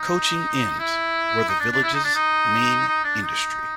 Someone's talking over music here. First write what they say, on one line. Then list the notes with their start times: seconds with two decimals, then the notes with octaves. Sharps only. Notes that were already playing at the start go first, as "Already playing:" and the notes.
Coaching inns were the village's main industry.
Already playing: D#4
0.79 E4
1.48 D#4
1.60 D4
1.72 D4
1.83 E4
1.93 D#4
2.04 D4
2.14 D#4
2.87 D#4
3.04 D4
3.22 D#4